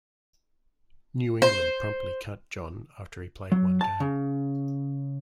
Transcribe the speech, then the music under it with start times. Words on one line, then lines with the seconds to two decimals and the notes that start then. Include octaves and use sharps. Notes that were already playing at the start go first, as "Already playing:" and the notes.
New England promptly cut John after he played one game.
1.42 C5
3.52 F#3
3.81 A5
4.00 C#3